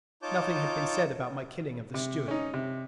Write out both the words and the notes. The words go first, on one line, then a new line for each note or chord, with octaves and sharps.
Nothing had been said about my killing of the steward.
D#4 F4 C#5 A5 D6 G6
C3
C#4 D#4
C3